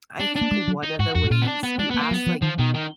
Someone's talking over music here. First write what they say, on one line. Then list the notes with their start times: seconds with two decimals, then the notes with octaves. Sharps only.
I think one of the ways you ask, like,
0.20 D4
0.36 D4
0.41 A#3
0.51 G#3
0.68 F#3
0.83 D#4
0.99 G#2 F#4
1.15 F2 F#4
1.24 G#2
1.30 A#2 F4
1.42 B3
1.48 D4
1.63 B3
1.78 G#3 D4
1.90 A#3 B3
2.01 A#3
2.11 F#3 B3
2.26 F3
2.42 D#3 F3
2.58 B2 D#3
2.74 D#3